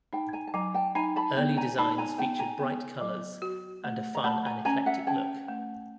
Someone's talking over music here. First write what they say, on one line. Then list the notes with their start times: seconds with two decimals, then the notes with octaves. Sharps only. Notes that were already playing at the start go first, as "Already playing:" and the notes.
Early designs featured bright colors and a fun and eclectic look.
0.13 D#4 G5 A5
0.33 G#5 A#5
0.47 A5
0.54 F#3 G#5 A#5
0.74 G5 A5
0.95 D#4 G#5 A#5
1.16 A5 B5
1.37 B3
1.57 G#5 A#5
1.78 D#4 A5 B5
1.98 G#5 A#5
2.18 B3 G5 A5
2.39 G#5 A#5
2.60 B3
3.01 F#3
3.42 F#4
3.84 A3
4.15 A#5
4.24 A3 A5 B5
4.46 G#5 A#5
4.65 C#4 G#5 A#5
4.86 E5 F#5
5.07 C#4 G5 A5
5.48 A3